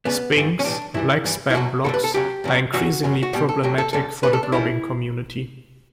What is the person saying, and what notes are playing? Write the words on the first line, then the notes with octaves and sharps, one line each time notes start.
Spings, like spam blogs, are increasingly problematic for the blogging community.
D2 C#3 G3 B3
G2 E3 G3
C#4
B1 A2 E3 G3 D4
G2 E3 G3 E4
G2 E3 G3
E4
E2 B2 F#3 F#4
G2 D3 G3 A4
B4
A4
E2 C#3 F#3 G4
E2 C#3 F#3
G2 E3 G3 F#4
F#2 C#3 F#3
F#4
E2 B2 G3 G4
A4
D2 D3 F#3 G4
A4
F#2 C#3 G3 A4
C#2 C#3 G3 B4
A4
D4
C#2 C#3 E3 G3 E4